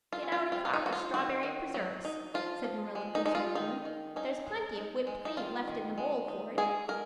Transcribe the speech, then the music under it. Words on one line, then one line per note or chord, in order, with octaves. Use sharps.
"Get out a crock of strawberry preserves," said Marilla consolingly. "There's plenty of whipped cream left in the bowl for it."
F4
C#4
F4
C4 F4
F4
D#4
F3 F#4
F4
D#3 F#4
D#3
F#3
D#4
F3 F4
F3
G#3
D#4
G#3 D#4
F4
D#3 D#4
D#3
C#4 D#4
G#3
D#4
G#3
D#4
D#3 F4
D#3
G#3
D#4
G#3 G#4
G#3 A#4